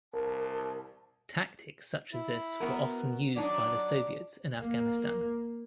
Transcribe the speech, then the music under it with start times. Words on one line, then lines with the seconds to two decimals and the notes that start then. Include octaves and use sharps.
Tactics such as this were often used by the Soviets in Afghanistan.
0.14 C2 A#4 A5
2.13 E4
2.60 B3 F#4 A#4
3.36 F#3 D4 D#4 D5
4.61 A#3